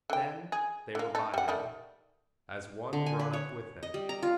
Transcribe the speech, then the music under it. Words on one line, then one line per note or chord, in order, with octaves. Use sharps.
Then they were by him, as one brought up with him.
D3 G5
G#4
D3 A#3
D#4 A4
G3 F#5
D#3 G3 A3
D3
G#5
B4
C#5
D#5
G3
A#5
F4